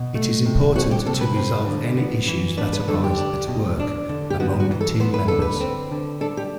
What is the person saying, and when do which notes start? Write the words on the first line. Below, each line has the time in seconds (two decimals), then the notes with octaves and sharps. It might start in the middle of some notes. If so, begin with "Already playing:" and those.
It is important to resolve any issues that arise at work among team members.
Already playing: B2
0.15 A3
0.46 C3
0.76 C4 F#4
0.91 G4
1.06 C3 A4
1.21 B4
1.36 C4
1.67 D3
1.97 B3
2.28 E3
2.57 D4 B4
2.73 B4
2.88 D3 A4
3.04 G4
3.18 D4
3.48 B2
3.80 D4
4.09 D3
4.30 G4
4.40 B3 F#4
4.60 F#4
4.71 E3
4.81 A4
5.00 B3 C5
5.14 B4
5.28 D3 A4
5.42 B4
5.61 C4
5.91 D3
6.21 D4 A4
6.37 G4